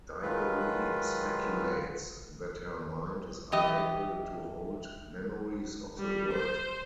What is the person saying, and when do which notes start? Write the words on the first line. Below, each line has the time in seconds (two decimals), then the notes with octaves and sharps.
Digory speculates that her mind is unable to hold memories of the Wood.
0.22 D#3 F#3 G#3 F4 B4
3.52 E3 G4 D#5
5.99 G3
6.34 C5